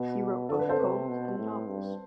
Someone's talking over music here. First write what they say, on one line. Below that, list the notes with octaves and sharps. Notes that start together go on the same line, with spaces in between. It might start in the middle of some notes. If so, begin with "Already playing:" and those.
He wrote both poems and novels.
Already playing: B2 B4
D3 A4
B4
A4 C5
C3 B4
B2
A2
G2